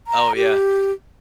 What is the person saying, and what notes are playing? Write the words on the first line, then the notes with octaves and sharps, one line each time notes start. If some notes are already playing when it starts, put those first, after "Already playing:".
Oh, yeah.
A#5
G4